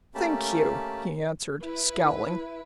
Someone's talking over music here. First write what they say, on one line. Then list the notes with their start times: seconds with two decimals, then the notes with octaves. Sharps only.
"Thank you," he answered, scowling.
0.15 A3 A#3 C#4 G4 A5 B5
1.63 E4 B4